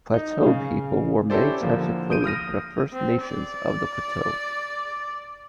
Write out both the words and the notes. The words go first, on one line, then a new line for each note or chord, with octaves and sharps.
Plateau people wore many types of clothing for the First Nations of the Plateau.
D#4
C#3 F5
C#4 E4 G4 A4 C5 D5
D3 F3 A#3
D#6 G6 D7 D#7
D#6 F6 A#6 D#7
C4
D5